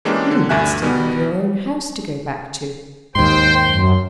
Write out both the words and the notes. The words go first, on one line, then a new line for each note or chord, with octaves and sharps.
"You would still have your own house to go back to."
E3 G#3 A#3 C#4 D4 G4
D3
D2 G2 E5 G#5 F#6
B2 G3 B3
D#2 G#2 C5 G5 C6
F#2